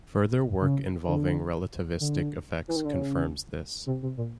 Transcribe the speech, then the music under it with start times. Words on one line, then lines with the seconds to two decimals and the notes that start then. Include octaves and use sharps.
Further work involving relativistic effects confirms this.
0.61 C#3
1.07 D3
2.00 D3
2.68 E3
2.76 D#3
2.85 D3
2.93 C#3
3.86 C3
4.02 C3
4.17 A#2